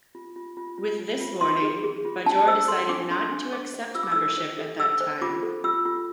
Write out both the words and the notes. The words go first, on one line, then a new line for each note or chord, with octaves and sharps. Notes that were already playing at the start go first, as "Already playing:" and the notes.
With this warning, Bajor decided not to accept membership at that time.
F4
F4
F4
F4
F4
F4
F4 C6
G#4
G#4
F4
D4 A5
C5 E6
A4 C6
D4 D6
D4 C6
D4
C5 D6
C5
F4 E6
D6
A4 E6
C5
A4
A4 E6
C5
F4 D6
A4
F4 E6
F4